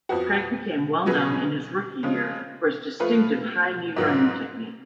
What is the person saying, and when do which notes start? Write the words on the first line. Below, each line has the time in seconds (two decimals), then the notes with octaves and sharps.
Craig became well known in his rookie year for his distinctive high-knee running technique.
0.09 F2 F3 B3 F#4
1.06 B2 F#3 C#4 G#4 B4
2.03 C#3 F3 G#3 C#4
3.00 F3 A3 F4 B4
3.96 G#2 F#3 B3 F4